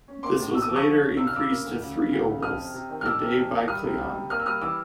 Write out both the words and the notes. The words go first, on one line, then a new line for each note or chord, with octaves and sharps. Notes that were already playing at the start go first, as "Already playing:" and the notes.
This was later increased to three "obols" a day by Cleon.
C#4
A#3 C6 D6
A2
A2 E6
D#6
F3 D6
C#6 D#6
F3
C#4
C#3 E6
F6
C#3 D6 E6
A#3
D2
C#3
C#3
D2
C#3
F2 D#6 F6
C3
C3
D#3
F6
F2 D6 E6
C3
F2
D#3
G3 D#6 F6
C3
G3
C3
A#3 D#6 F6
E6
G3 D#6 F6
E3 D6 E6